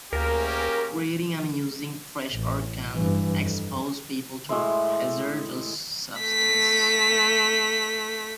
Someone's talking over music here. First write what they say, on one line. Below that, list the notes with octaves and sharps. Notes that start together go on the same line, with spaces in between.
Creating and using trash art can expose people to hazardous substances.
D2 A#3 C#4 G4 G#4 A#4
A1
G2 E3
F2
A2 G#3 E5 C6
A3 B6